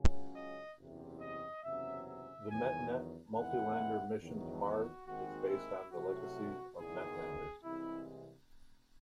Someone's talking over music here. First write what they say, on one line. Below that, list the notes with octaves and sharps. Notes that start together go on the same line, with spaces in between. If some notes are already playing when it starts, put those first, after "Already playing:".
The MetNet multi-lander mission to Mars is based on the legacy of NetLander.
Already playing: C#2 C#3 F#3 C#4
D#5
F#1 E2 C3
D#5
F#1 E2 C3 F#3 C#4 E5
E5
E2 D#3 F#3 G#5
E2 D#3 G#3 C4 E4 F#5
E2 D#3 F#3
F#4
D#2 D#3 G#3 C4 D#4 F#4
E4
C2 C3 F#3 A3 F#4
F#1 E2 D#3 G#4
C2 C3 E3 G#3 E4